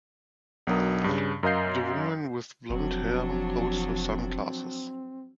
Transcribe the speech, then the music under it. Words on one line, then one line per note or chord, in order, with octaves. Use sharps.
The woman with blondhair holds her sunglasses.
B1 B2 F#3 D4 A#4 D#6
G2 C#3
F#2 A#4 D#5 F5 G6 C7
F1 F3 F#3 C4 D4